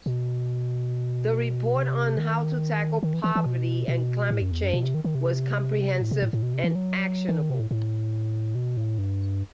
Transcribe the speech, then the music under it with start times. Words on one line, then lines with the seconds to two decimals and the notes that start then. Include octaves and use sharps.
The report on how to tackle poverty and climate change was comprehensive and actionable.
0.06 B2
1.76 C3
2.18 D#3
3.03 D#3
3.14 E3
3.24 E3
3.35 E3
3.46 B2
3.88 B2
4.31 A2
4.42 F#2
4.51 E2
4.63 F#2
4.73 B2
4.84 C3
4.94 D#3
5.04 D#3
5.15 C3
6.01 A2
6.11 C3
6.22 A2
6.33 A2
6.43 B2
6.54 C3
6.64 E3
6.75 F#3
7.29 E3
7.39 D#3
7.50 C3
7.60 A2
7.71 A2
8.55 B2
8.77 A2
8.98 G2